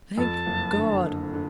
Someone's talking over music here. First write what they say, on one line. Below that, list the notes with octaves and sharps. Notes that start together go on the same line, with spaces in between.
Thank God!
F2 A5
F#1
D3
D3
D3